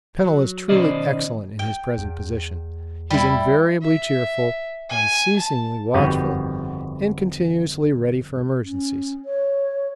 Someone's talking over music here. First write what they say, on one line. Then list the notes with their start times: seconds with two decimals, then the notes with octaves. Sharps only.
Pennell is truly excellent in his present position--he's invariably cheerful, unceasingly watchful, and continuously ready for emergencies.
0.24 F#3
0.69 B2 D#3 C#4 C5 D5 D#5
1.59 G5
1.98 E2
3.10 G3 E4
3.82 E5
4.89 G#5
5.36 A5
5.94 G1 F2 D#3 B3 F#4 G4
8.64 C#4
9.25 C#5